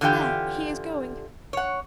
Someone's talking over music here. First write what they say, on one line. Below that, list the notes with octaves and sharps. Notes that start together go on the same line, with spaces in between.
There; he is going.
D3 E3 F4 G4 G5
C#5 F#5